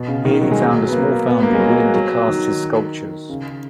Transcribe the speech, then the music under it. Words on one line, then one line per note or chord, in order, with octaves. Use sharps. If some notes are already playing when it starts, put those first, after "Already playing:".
Here he found a small foundry willing to cast his sculptures.
Already playing: B2
C#3
D#3
F#3
G#3
F#3
B3
A#3
B3
A#3
G#3
F#3
F#3
D#3
C#3